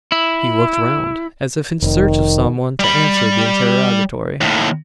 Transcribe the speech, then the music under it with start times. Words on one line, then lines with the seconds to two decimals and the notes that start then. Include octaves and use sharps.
He looked round, as if in search of some one to answer the interrogatory.
0.12 E4
1.82 F1 D#3
2.79 G3 B5
4.41 D#2 A2